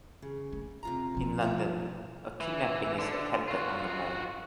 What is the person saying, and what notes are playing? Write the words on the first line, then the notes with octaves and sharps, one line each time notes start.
In London, a kidnapping is attempted on the Mall.
C#3
A3
C3 F4 A#5
B2 F3
A2 F4 E5
E3
D3
F4 F#4